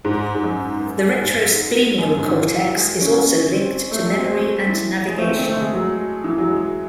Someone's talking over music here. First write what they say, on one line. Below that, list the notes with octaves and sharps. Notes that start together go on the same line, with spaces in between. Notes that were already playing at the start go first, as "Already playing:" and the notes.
The retrosplenial cortex is also linked to memory and navigation.
G#2
G#2
F#2
G#2
F#2
F#2
G#2
D#3
E3
F#3
G#3
C#4
C#4
C4
A3
F#3
C4
G#3
E3
G#3
A3
C4
C4
A3
G#3
F#3
E3
F#3
G#3